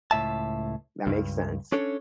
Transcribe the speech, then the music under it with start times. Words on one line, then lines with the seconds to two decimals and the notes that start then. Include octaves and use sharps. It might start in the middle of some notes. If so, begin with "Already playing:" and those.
That makes sense.
0.11 C#2 A2 E5 A5
1.07 C#2 G2
1.72 C#4 D4 A4 C#5